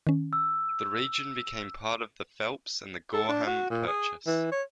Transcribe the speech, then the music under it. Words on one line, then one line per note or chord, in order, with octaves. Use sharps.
The region became part of the Phelps and Gorham Purchase.
D#3 C#4
E6
A4
D4
F#4
A#2
G#4
E3
C#5